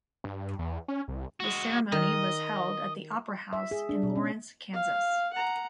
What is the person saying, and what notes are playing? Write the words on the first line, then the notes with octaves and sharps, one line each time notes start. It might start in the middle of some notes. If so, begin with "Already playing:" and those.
The ceremony was held at the Opera House in Lawrence, Kansas.
G2
E2
C#4
C2
G#3 F#4
D#3 D#5
E5
G#4
D4
B2
C#4
F5
F#5 A#5